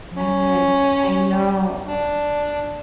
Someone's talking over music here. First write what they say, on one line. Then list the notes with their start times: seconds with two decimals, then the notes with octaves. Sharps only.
Yes, I know.
0.17 C#4
1.87 D4